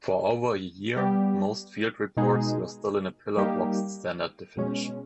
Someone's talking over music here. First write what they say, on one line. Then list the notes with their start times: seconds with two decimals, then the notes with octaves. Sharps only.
For over a year, most field reports were still in pillarboxed standard definition.
0.96 G3 B3 G4
2.17 B2 G#3 D#4 G#4
3.37 G3 A#3 D#4 G4
4.57 B2 G#3 C#4